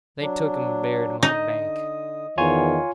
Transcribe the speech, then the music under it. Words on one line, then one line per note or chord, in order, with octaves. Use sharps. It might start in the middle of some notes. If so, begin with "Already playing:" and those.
They took him and buried him on the bank.
F#3 D4
D3 D#4 D#5 D#6
E2 D#3 F4 C#5 G#5